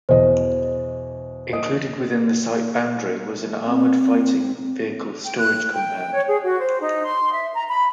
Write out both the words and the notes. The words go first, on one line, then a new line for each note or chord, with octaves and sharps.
Included within the site boundary was an armoured fighting vehicle storage compound.
E2 B2 C5 D#5
D#5 D#6 D7
C4
G5
F#6
G5
C#5
G#4
F#4
C5
D#4
C6
E5
A#5
B5